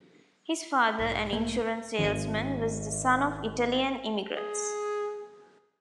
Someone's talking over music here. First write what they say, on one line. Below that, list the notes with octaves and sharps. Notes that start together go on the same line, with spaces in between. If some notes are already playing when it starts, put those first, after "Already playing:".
His father, an insurance salesman, was the son of Italian immigrants.
B1 G#2
A3 A#3
G#1 D#7
G#4